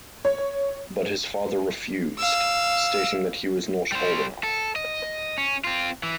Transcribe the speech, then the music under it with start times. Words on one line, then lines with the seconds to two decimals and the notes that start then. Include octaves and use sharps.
But his father refused, stating that he was not old enough.
0.25 C#5
2.19 F5 E6
3.92 G3 C5
4.43 A4
4.76 D#5
5.38 C#4
5.64 C4 F4
6.03 E3